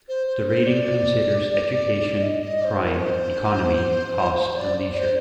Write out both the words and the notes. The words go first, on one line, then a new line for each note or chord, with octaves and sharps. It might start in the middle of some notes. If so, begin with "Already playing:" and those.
The rating considers education, crime, economy, cost and leisure.
C5
C5
C5
D5
D#5
D#5
D5
C5
C5
A#4
C5
D5
D5
C5